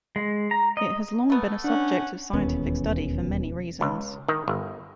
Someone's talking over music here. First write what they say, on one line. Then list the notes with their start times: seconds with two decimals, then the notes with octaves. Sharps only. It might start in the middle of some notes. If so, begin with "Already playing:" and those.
It has long been a subject of scientific study for many reasons.
0.16 G#3
0.51 A#5
0.77 D#5
1.30 A3 B3
1.64 C#4 D4 F#5
2.33 E1 D#2 B3 C#4
3.81 C#2
4.28 D#3
4.48 G1